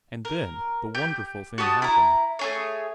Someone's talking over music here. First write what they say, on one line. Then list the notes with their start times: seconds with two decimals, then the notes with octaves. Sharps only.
And then the wonderful thing happened.
0.25 A#4
0.95 G4 G6
1.58 F#4 G4 A5 D#6
1.82 E4 A#5
2.39 A3 G#4 C#5